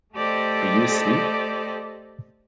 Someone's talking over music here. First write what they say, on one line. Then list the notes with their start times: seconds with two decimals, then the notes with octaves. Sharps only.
Are you asleep?
0.15 A3 G4 A4 C5 D5 D#5